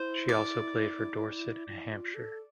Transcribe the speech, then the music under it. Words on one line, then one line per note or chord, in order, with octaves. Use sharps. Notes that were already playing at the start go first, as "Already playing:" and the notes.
She also played for Dorset and Hampshire.
Already playing: E4 C5
D5
F4
E4
F4
A4